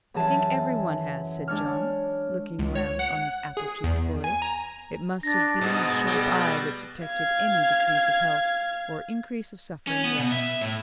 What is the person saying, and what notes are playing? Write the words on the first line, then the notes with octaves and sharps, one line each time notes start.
"I think every one has," said John, looking round on his apple-cheeked boys; it must have been a sharp eye that detected any decrease of health, or increase of suffering, there.
F#2 E3 G#4 A5
G#3 D4 C#5 F6
C#2
C#5
F#5
G#4
E2
G#5
A#5
D4 A6 A#6
G#2 B2 B3 G#4 E6
G3
F5 G#6
C#4
B3
B2
E5
A2